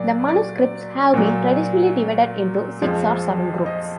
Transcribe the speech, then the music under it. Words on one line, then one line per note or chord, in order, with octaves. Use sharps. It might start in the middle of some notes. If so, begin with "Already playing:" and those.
The manuscripts have been traditionally divided into six or seven groups.
Already playing: A#2 F#3 D5
D5
A#2 F#3
F2 F3 G#3
D#5